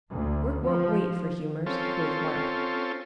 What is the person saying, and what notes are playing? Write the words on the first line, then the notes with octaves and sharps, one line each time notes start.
"Work won't wait for humors," quoth Mark.
D2
F3
C4 C#4 F4 A4